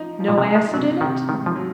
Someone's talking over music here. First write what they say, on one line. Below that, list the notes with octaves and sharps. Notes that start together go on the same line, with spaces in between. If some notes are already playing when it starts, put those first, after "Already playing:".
"No acid in it?"
Already playing: F3 D#4
F3
A#2
C3
D#4
G#3
C3 F#3
C3 D#3
G#2 D#3
F3
F#3